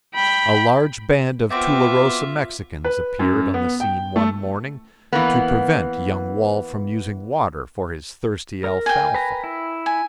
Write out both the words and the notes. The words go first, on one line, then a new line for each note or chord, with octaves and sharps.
A large band of Tularosa Mexicans appeared on the scene one morning, to prevent young Wall from using water for his thirsty alfalfa.
G5 B5
B3 C4 F4 F#4 E5 G5 D6
B4
F#2
B3
G5
A3
E3 A#3 B3
A#4
G5 G#5
B4 A#5
E4
G#5